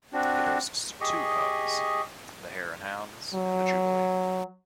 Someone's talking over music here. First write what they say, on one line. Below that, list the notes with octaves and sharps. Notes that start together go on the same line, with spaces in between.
It hosts two pubs: the Hare and Hounds, and the Jubilee.
C4 D4 F#4
G4 G#4 D#5 C#6
F#3